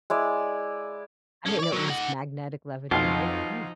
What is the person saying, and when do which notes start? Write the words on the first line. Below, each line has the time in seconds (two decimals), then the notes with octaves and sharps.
I didn't know it was magnetic levitated, mm.
0.10 G#3 E4 D5
1.47 C#4 A4
1.60 C#5 D5
1.73 D3 F#3
1.90 D#4 F#5
2.91 B1 F2 F3 D#4 F4